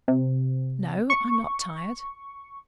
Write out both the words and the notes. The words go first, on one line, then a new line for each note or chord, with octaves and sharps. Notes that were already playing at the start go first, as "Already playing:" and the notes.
"No, I'm not tired."
C3
C#6